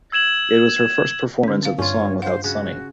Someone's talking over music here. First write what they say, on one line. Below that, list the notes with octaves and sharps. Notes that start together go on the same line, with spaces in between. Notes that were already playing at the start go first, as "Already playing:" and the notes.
It was her first performance of the song without Sonny.
E6 G#6 E7 F#7
D3 C#4
C4 F5
G2 C#4 F4 C#5
C5 F5 F#5
C#3 F#4